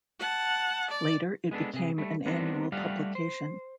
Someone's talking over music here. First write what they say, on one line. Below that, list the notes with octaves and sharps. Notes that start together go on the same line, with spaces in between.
Later, it became an annual publication.
F#5 A5
D5
G#3 B3 D4 A4
C3 G#4
G3 A3
D#3 G3 B3 C4 D4 D#4
G3 A3 G4 D5 F5 F#5
C5